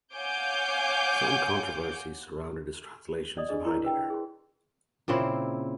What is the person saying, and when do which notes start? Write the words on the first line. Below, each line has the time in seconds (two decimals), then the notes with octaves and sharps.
Some controversies surrounded his translations of Heidegger.
0.15 C#5 F5 F#5 G#5 D6 G6
3.37 D5 D#5 D#6
3.49 D4 G#4 D#5
3.65 E4 A#4 C#5 A#5
3.84 B4 D#5 G5
4.10 G#4 C6
5.08 A#2 C#3 C4 E4